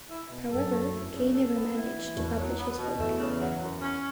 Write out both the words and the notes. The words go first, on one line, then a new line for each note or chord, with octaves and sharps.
However Kay never managed to publish his book.
E4
B2
F#2 A4
A3
E4
C#3
A4
B3
E4
E3
E2 B2
F#3
B3
B2
E2 A3
C#3
F#3
F#2
C#4